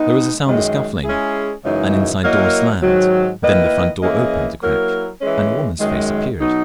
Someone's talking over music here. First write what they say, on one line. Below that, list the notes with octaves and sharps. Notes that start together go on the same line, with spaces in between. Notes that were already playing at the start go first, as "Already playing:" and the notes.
There was a sound of scuffling; an inside door slammed; then the front door opened a crack and a woman's face appeared.
Already playing: G#3 B3 D#4
F#2 D#3 G#3
G#3 C#4 E4 G#4
F#2 C#3 E3 G#3 D#4
F#3 A#3 E4 A#4 D#5
G#2 D#3 F#3
D#3 A#3 E4 B4 D#5
E3 A#3 C#4 G#4 D#5
F#3 A#3 E4 A#4
E3 G#3 C#4
F#2 D#3 G#3
B2 F#3 B3 D#4